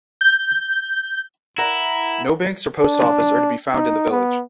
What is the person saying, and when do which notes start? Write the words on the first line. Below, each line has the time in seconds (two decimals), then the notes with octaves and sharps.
No banks or post office are to be found in the village.
0.21 G6
1.58 E4 A#4 F#5
2.81 D4
3.74 D#4
4.10 B3